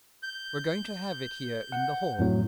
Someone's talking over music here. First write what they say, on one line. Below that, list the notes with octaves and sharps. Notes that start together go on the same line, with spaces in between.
We're going to have it here in the hall.
G6
F#5
F2 A2 F#3